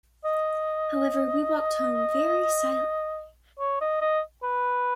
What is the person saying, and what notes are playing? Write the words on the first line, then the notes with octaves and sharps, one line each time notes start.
However, we walked home very silently.
D#5
C#5
D#5
D#5
B4